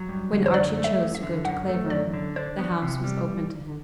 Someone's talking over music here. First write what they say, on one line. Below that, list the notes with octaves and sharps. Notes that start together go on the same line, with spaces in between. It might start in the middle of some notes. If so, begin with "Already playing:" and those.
When Archie chose to go to Clavering, the house was open to him.
Already playing: F#3
G2
D3
C5
F#2 D5
A3
E5
F#2
E5
D3
F#2 F#5
A3
F#2 D5
D3
D4 C5
B3
C3
G3